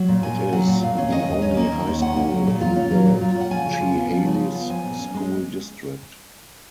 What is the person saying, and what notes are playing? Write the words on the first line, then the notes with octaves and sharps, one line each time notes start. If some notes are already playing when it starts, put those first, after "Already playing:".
It is the only high school in the Chehalis School District.
Already playing: F#3
A#2
A#2 G#5
C#4
F#3 F#5
A#2
A#2 F5
C#4
D#3 D#5
D#2
C#4
A#3
D#3
D#2
C#4 F#5
A#3
F#3
A#2
F4
C#4
F#3
A#2
F4
C#4 F#5
F3 G#5
C#3
F4
B3
F3
C#3
F4
B3
F3 G#5
A#2
C#4
G#3